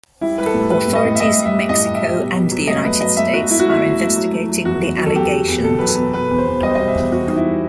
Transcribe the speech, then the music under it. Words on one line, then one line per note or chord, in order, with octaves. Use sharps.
Authorities in Mexico and the United States are investigating the allegations.
G3 E4
G3 B4
A4
A2
G3 B4
A2
D#5
A2
E5
A2 D#5
G3
E5
G3
A2 D#5
G3
E5
G3
B2
B2
F#3
A3 D#5
A3 B4
F#3 D#5
A3 E5
F#3 F#4
A3 E4
F#4
A3 E4
F#3
A3
F#3
A3
F#3
E2 F#4
E2
F#3
A4
E2 G4
F#3
E2
B2 A4
F#3 B4
A4
B2
B2 B4
E2
C5
E2
G3 D#5
C5
B2 D#5
E5
E2
E2 F#4
G3 D#4
E4